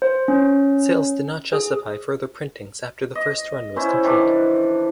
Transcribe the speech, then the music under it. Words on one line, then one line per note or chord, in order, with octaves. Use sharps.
Sales did not justify further printings after the first run was complete.
C5
C#4
G#4
D#5
C#4 E4 C5
D#3 E3 D4